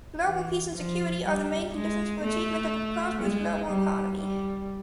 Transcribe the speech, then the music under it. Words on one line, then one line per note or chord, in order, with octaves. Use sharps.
Global peace and security are the main conditions for achievement of the prosperous global economy.
E3
F3
G3
G#3
A3
G#3
G3
G3